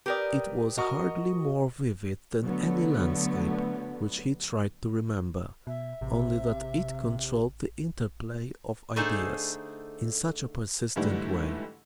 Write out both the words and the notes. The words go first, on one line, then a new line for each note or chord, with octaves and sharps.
It was hardly more vivid than any landscape which he tried to remember, only that it controlled the interplay of ideas in such a persistent way.
G4 A#4 B4 D5 G5 D#6
F#4 A#4 D#5 C#6 D#6
D3 F#3 A3 B3
B2 E5
A1 C3
D3 A3 D#4 G#4 A4 C5
G#2 D3 E3 G3 A3 E4